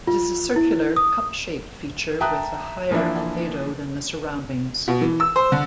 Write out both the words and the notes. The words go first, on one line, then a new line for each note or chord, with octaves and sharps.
It is a circular, cup-shaped feature with a higher albedo than the surroundings.
F4
E4
D#6
E5 G5 A5 A#5 D#6 F#6
E3 F3 A#3 D4 E4
B2
E3
E6
C5
D3